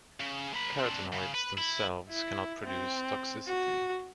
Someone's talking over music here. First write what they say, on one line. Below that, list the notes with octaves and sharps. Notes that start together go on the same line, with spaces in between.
Carotenoids themselves cannot produce toxicity.
C#3
A#3 B5
C4 D4
C#3
B4
E4
E4
C4
F#4